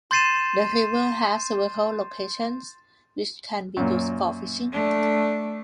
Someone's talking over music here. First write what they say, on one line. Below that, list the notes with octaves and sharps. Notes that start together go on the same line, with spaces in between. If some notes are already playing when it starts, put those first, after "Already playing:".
The river has several locations which can be used for fishing.
C6 G6 A6 C7 D#7 E7
F#2 A#2
A3 D4